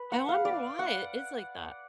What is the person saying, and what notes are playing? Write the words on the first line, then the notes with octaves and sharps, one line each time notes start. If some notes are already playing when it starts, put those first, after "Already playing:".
I wonder why it is like that.
Already playing: B4
F#5
F5
D5
F#5